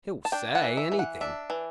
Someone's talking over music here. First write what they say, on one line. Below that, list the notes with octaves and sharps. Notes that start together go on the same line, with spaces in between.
He'll SAY anything.'
A5
D4 G5
F#5
E3
E5
E3
F#5
D4 E5
E3